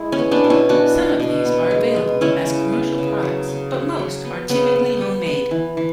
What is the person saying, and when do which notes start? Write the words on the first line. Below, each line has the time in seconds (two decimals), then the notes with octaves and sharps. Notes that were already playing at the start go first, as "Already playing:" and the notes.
Some of these are available as commercial products, but most are typically home-made.
Already playing: G#3 E4
0.12 C#4
0.19 B3
0.31 B3 D4
0.44 B2
0.50 C#4 E4
0.69 B3 D4 F#4
0.95 B2
1.20 B2
1.45 B3
1.71 G#3
1.96 B3
2.21 C#3 C#4 E4
2.47 C#3
2.72 B3
2.98 C#3
3.23 F#3
3.48 C#3
3.73 F#3
3.99 F#3
4.25 B3
4.50 C#3 B3
4.75 B3
5.01 B3
5.26 B3
5.51 E3
5.77 E3